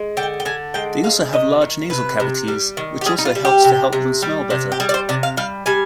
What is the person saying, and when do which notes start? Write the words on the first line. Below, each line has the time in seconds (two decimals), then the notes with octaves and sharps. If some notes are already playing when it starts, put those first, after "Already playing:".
They also have large nasal cavities, which also helps to help them smell better.
Already playing: G#3
0.17 D3 G5
0.40 G5
0.45 D3 G#5
0.74 G#3 G5
1.04 G#3 F5
1.33 C3 D#5
1.62 D#3
1.90 C3 B4
2.20 C3
2.48 G3
2.77 D#3
3.01 G4
3.06 G3 G#4
3.18 D#4
3.25 F4
3.35 G3
3.45 G4
3.64 C3
3.93 C3
4.22 G3
4.50 C3
4.72 G4
4.80 G3 G#4
4.89 D5
4.94 C5
5.09 C3 D5
5.23 F5
5.37 G3 F5
5.66 G3 G#5